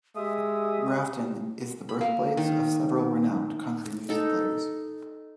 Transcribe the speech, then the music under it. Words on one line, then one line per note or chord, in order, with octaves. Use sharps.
Grafton is the birthplace of several renowned country music players.
G#3 G4 E5 D#6
B5
A#3
D#3
D#4 A4